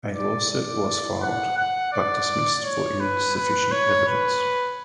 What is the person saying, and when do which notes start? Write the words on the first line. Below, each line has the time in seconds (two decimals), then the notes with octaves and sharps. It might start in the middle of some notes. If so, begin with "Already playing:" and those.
A lawsuit was filed but dismissed for insufficient evidence.
0.15 D5
0.50 D5
1.22 F#5
1.57 F#5
1.93 D5
2.64 C#5
3.00 B4
3.36 B4
3.72 C#5
4.08 B4